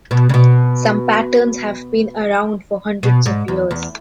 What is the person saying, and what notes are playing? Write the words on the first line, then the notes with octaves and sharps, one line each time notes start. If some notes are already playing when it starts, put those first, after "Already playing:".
Some patterns have been around for hundreds of years.
B2
C#3
B2
B2
G#2
E2
E2